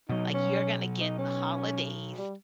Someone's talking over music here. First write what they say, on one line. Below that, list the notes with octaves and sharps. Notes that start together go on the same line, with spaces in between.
Like, you're going to get the holidays
B2 F#3 D#4
C#4
D#4
C#4
G3